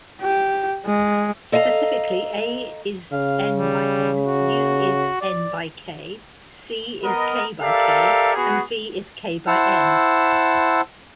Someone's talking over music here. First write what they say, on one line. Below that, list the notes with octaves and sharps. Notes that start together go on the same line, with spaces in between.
Specifically, "A" is "n"-by-"n", "U" is "n"-by-"k", "C" is "k"-by-"k" and "V" is "k"-by-"n".
G4
G#3
A4 D#5 F5 G#5 A#5
C#3 F5
G3
F#4
D5
B3 A#4 D#5
G4 A4 A#4 D5 E5 F5
B3 F#4 G#4
E4 C5 F#5 A5 E6